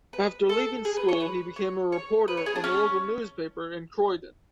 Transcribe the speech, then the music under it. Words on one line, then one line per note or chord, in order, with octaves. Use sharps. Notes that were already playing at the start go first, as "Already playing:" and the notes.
After leaving school he became a reporter on a local newspaper in Croydon.
B4
A4
G#4
B4
C#5
B4
C#5
C#5
B4
C#5
G#4
D4
C#4